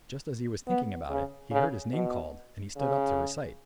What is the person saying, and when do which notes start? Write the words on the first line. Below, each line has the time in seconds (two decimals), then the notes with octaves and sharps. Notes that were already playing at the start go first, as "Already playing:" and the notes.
Just as he was thinking about it, he heard his name called, and he stood up to recite.
0.68 B3
1.10 C#3
1.52 C#3
1.93 B2
2.77 C#3